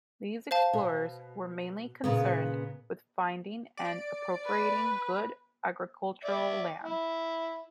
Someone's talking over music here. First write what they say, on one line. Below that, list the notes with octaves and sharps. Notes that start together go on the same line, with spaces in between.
These explorers were mainly concerned with finding and appropriating good agricultural land.
C5 F5 A5
B2
A#2 C#3 B3
D5
B4
D5 E5
E4